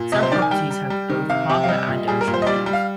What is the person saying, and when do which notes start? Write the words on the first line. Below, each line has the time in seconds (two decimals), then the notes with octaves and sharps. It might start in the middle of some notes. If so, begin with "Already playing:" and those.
Some properties have both harbour and ocean views.
Already playing: A#2
0.12 C3 D#5
0.23 C5
0.32 D#3 D5
0.42 G#5
0.51 G3 G5
0.71 G3
0.90 G3
1.10 D#3
1.30 C3 F5
1.49 C3 G4
1.64 F5
1.69 G3 D#5
1.88 A#2
2.08 G3 G#4
2.21 A#4
2.28 A#2
2.34 C5
2.42 D#5
2.47 G3 D5
2.66 G3
2.73 F5